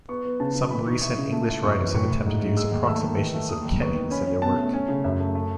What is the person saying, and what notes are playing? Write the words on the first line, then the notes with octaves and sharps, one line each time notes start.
Some recent English writers have attempted to use approximations of kennings in their work.
B3 C#6
B3
C#3 A5
C#3
E3 B5
D#4 C#6
E4 C#6
C#3
A3
E4
F#2 C#6
E3
A2 C#6
A2
G#2
G#2
G#3 E6
D#2
A3 E6
D#3
E3
A3
D#2 D#6
D#2
B3 C#6
D#3
C#4 B5
C#4
B2 A5
A3
C#4 G#5
C#3
F#2 E5
A3
A3